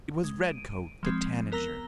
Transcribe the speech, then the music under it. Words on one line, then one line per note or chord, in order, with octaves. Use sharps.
It was Redcoat the Tanager.
G#3
D7 D#7
F3 G#3 C4
B3 A#4 A#5 E6 A#6 G7